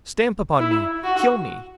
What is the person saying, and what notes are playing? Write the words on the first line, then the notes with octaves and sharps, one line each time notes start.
'Stamp upon me, kill me!
E4
F#4